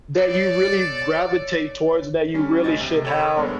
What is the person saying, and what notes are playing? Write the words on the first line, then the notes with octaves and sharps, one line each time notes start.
that you really gravitate towards, that you really should have
A4 C#5 D5
G3 C#4
D2 D#5 A6
C3
A4 C#5 B5
G2 G#3 B3 A#4